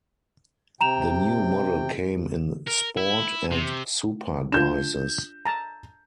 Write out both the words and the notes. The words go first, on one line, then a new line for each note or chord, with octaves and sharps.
The new model came in "Sport" and "Super" guises.
C3 G5 A#5 E7 F7
A#4
E4
C3
D4 F4 G6 E7
A5 A#5